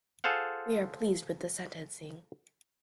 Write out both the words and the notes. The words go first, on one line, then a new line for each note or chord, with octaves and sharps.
We are pleased with the sentencing.
F4 G#4 A4 C5 F5 F#5